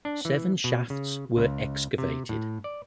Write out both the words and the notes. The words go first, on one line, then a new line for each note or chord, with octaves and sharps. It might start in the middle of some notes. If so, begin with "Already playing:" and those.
Seven shafts were excavated.
D4
E3
B2
C#3
C#2
C3
A2
D5